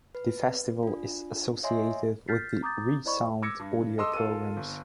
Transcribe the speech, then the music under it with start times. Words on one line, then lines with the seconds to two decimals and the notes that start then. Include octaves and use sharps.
The festival is associated with the "Re:sound" audio programs.
0.15 B4
0.83 D4 F4
1.63 C#5 D#5 E5 G#5 C6
2.28 F6 G6 A6 B6 C7
2.63 A#5 D6 D#6 G6 A6
3.05 E4 C5 D5 D#5 B5 C#6
3.42 D6 E6 G#6 A#6 C#7
3.59 G2
3.98 A4 D#5 C6 D6 E6
4.13 F4 A4 A#4 E6 D#7
4.57 G1